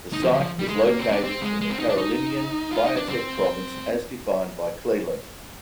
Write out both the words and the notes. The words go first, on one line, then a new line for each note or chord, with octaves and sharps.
The site is located in the Carolinian Biotic Province as defined by Cleland.
D#4
F3
D3
F3
G3
G#3
A#3
C4
D4
C4
G#3
G#3
C4
D#4
D4
D#4
F4
D#4
D4
C4